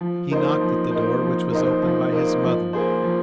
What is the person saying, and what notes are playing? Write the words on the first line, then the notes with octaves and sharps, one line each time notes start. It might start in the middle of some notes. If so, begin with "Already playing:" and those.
He knocked at the door which was opened by his mother.
F3
A#3 D#4 C5
F3
A#3 D#4 C5
F3
A#3 D#4 C5
F3
A#3 D#4 C5
F3
A#3 G#4 C5
F3